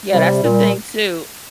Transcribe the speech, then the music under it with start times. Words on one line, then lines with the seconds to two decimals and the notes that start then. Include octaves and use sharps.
Yeah, that's the thing, too
0.10 C3 G3
0.43 A#2 G3